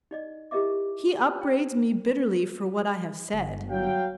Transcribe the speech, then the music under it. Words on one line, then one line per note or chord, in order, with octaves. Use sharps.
"He upbraids me bitterly for what I have said."
D#4 D5 D#5
E4 G4 A#4 D#5 E5 D6
C#5 G5
G1
F#3 F5 G5